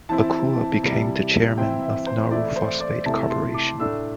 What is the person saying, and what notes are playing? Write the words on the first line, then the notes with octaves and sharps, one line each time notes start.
Akua became the Chairman of Nauru Phosphate Corporation.
E3 C4 E4 A5
C3 G3 E4
E3 C4 E4 G5
E5
C5
E3 A3 E4 D5
C5
D5
C3 A3 E4 A5
C6
D6
A2 A3 D4 E6